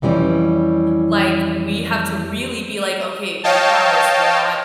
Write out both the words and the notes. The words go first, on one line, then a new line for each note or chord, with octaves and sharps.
like, we have to really be, like, "Okay, we promise we're not
F2 E3 G3 C4 C#4
C#5 D#5 F5 G5 A5